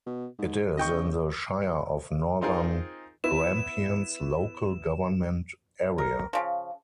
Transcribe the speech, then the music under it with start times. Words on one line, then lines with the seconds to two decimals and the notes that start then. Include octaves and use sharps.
It is in the Shire of Northern Grampians local government area.
0.06 B2
0.39 G#2
0.77 G#1 D#5 G5 C#6
0.93 C#3
2.41 C4 D#4 F4 G#4 A#4
3.24 B3 E4 E7
5.98 A#4
6.33 C#3 F3